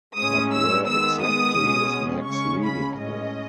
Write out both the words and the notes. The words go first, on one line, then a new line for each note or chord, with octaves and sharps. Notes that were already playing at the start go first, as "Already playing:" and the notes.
But where exactly is Max leading her?
A2 G#3 C#4 D#6
E6
D#3 G#3 B3 E6
D#6
B2 G#3 C#4
C#3 G#3 C#4 C#6
B5
A2 G#3 C#4 D#5